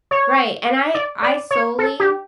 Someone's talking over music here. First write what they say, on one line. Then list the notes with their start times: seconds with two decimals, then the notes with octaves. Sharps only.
Right, and I I solely
0.11 C#5
0.95 D5
1.22 D5
1.51 C#5
1.79 A4
2.00 G4